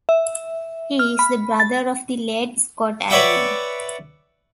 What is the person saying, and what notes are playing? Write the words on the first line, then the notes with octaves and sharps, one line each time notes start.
He is the brother of the late Scott Irwin.
E5
F6
B5
A6
B4 C#5 D5 E5 F#5 G5